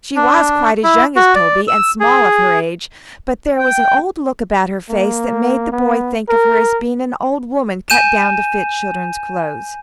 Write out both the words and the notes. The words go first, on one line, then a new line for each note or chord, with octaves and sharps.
She was quite as young as Toby, and small of her age; but there was an old look about her face that made the boy think of her as being an old woman cut down to fit children's clothes.
D4
E4
F#4
D5
E6
G#4
G5
A#3
B3
A#4
G#5 G6 D#7 E7